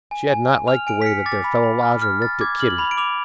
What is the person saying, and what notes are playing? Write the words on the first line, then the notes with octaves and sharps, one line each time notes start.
She had not liked the way that their fellow lodger looked at Kitty.
G#5
G#5
G#5
F6 F7
G#5 D7
B6
F6 C#7
D6 A6
B5
B5
F6
F6
F6 A6
D6 G#6
F6 F#7
F#7
B5 F7
D7
D6 F7